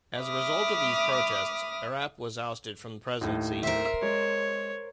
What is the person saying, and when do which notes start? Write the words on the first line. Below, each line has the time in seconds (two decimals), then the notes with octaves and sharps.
As a result of these protests, Erap was ousted from the presidency.
0.19 E5 B5 D6 D#6 F6
3.21 D#2 A2
3.63 A#4 C5 E5
4.02 G#3 C#5